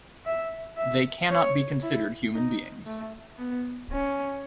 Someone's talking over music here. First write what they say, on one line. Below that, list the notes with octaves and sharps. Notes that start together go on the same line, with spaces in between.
They cannot be considered human beings.
E5
E5
C#5
E4
D#4
A3
B3
C#4